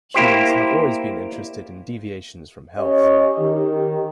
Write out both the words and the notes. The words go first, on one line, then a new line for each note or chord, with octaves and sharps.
Humans have always been interested in deviations from health.
A#3 E4 G4 C5
C#4 G4 C#5 D#5
D#3